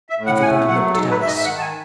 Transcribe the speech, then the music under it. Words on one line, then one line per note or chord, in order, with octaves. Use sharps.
Everybody looked at Alice.
E5
A2
F#5
F#5
A3 G#5
F#3 F#5
G#2 A4
B4
G#2 E5
D#5
E5
D#3 F#5
A5
G#5